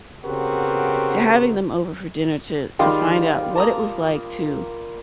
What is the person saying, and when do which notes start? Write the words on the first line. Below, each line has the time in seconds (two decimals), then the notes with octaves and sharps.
to having them over for dinner to to find out what it was like to,
0.25 C#3 B3 C4 F#4 G4 A#4
2.79 D#3 G3 G#3 F4 F5 G5
3.55 A#3 A5 A#5 D#6